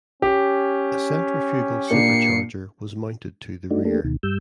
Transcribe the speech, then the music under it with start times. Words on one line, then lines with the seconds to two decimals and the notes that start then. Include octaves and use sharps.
A centrifugal supercharger was mounted to the rear.
0.22 C#4 G4
1.90 A#2 A#3 D4 C7 C#7
3.71 A3 D4 D#4 F#4
3.85 A3 A#3 D4 G4 A4
4.04 D2 B2 D#3
4.23 G2 G3 E6 G6